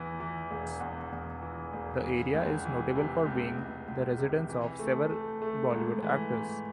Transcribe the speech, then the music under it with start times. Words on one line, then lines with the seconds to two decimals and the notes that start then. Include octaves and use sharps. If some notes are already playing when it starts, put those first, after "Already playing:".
The area is notable for being the residence of several Bollywood actors.
Already playing: E2 E3
0.20 E3
0.51 E1
0.80 E2
1.12 E2
1.43 E3
1.73 E1
2.03 E3
2.34 C#2
2.65 E3
2.95 C3
3.26 C#2
3.57 C#2
3.88 C#2
4.18 C3
4.49 E3
4.79 A3
5.10 A3
5.42 A3
5.72 G#2
6.03 E3
6.33 G#2